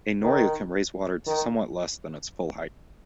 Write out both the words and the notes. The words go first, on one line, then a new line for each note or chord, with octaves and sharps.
A noria can raise water to somewhat less than its full height.
D#3
D#3